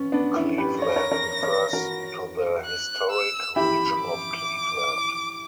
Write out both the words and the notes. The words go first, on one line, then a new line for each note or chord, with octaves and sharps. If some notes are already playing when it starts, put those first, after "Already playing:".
"Cleveland" refers to the historic region of Cleveland.
Already playing: B3 C#4
B3 D4
C#4 E4
G4 B4
C#5 A#6
B4
A#4 C#5
A#4 C#5
A#4 C#5
F#4 A#4
F#6
E6
E4 G4 B5
D6